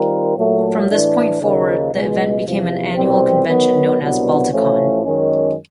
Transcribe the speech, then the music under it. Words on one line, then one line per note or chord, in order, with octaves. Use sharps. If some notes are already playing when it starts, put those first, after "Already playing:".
From this point forward, the event became an annual convention known as Balticon.
Already playing: D#3 G3 C4 F4 A#4
A#2 F#3 A3
A2 E3 A3 D4
D#2 C#3 F3 A#3 D#4
C#2 B2 G#3
E2 C3 F3
C2 B2 G3 C4
D#3 F#3 B3
C2 B2 F#3 B3 D4
A1 A2 F3 A3 C#4
F#2 D#3 G#3 C#4